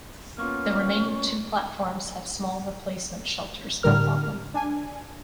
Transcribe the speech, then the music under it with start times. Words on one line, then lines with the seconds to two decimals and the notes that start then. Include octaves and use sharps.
The remaining two platforms had small replacement shelters built on them.
0.38 A#3 B3 C#4 F4 F5 C#6
3.83 A2 D3 G3 A#4 F6
4.54 D4 G#5